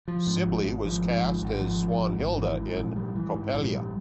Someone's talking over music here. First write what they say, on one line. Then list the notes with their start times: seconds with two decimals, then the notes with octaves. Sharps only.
Sibley was cast as Swanhilda in "Coppelia".
0.08 F3
0.27 G#2
0.46 G#1
0.65 G#1
0.85 F3
1.04 G#2
1.23 G#1
1.42 G#1
1.61 F3
1.81 G#2
2.00 G#1
2.19 G#1
2.38 E3
2.58 G#2
2.77 A#1
2.96 G3
3.15 E3
3.34 G#2
3.53 A#1
3.73 G3